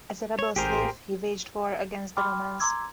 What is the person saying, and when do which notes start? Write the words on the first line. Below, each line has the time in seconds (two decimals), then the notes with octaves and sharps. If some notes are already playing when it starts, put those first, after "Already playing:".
As a rebel slave he waged war against the Romans.
0.39 C#5
0.56 A1 G4 G#4 A#4 C5
2.17 G5 B5 C6 D6 F6
2.60 A#5 C6 D6 E6 G#6